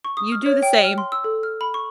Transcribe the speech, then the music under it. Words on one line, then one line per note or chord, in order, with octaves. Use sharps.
You do the same.
C#6
D#6
F6
C#5
G5
F6
C6
E6
A4
F6
B5
C#6